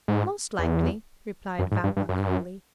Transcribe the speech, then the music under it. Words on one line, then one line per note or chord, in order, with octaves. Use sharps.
"Most likely," replied Vampa coolly.
G#2
E2
F#2
G#2
G2
G2
F#2
G2
F#2